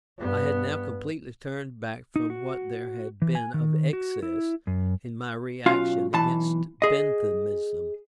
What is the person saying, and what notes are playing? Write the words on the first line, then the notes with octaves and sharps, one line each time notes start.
I had now completely turned back from what there had been of excess in my reaction against Benthamism.
G2 B3
D#4
F#4
E3
G#5
D#3
F#4
E4
F#2
B1 C#4 F4 F#4 F5
B1 E3 A5
G#4 D#5